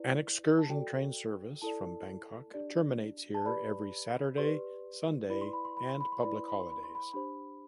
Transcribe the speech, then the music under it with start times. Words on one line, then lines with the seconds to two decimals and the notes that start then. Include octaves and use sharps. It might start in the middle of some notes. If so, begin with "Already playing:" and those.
An excursion train service from Bangkok terminates here every Saturday–Sunday and public holidays.
Already playing: E4 B4 D5
0.58 A5
0.70 F#4 A4 D5 G5
1.62 E4 A4 D5 A5
2.54 D4 G4 D5
3.34 A5
3.46 G4 B4 D5 B5
4.38 G4 B4 D5 C6
5.30 E4 B4 D5 B5
5.41 C6
5.53 B5
5.65 C6
5.77 B5
5.89 C6
6.01 B5
6.12 C6
6.21 E4 B4 D5 B5
6.36 C6
6.48 B5
6.60 C6
6.72 B5
6.83 C6
6.95 B5
7.13 D4 G4 C5 B5